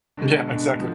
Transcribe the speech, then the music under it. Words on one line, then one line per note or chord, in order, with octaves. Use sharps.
Yeah, exactly.
B2 D3 G#3 D4
B2 G#3 D4
D3 D#3 F3